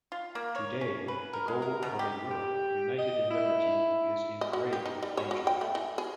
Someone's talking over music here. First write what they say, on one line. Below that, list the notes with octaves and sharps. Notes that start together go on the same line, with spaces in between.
Today, the goal of a Europe united in liberty is in grave danger.
F4
A#3
C#5
C#4
B4
A#4
G#3
A#4
B2
G4
G4
D#5
E4
D#5
F#3
G4
D#4
G3
C#5
F#3
G5
A3
E3
G#4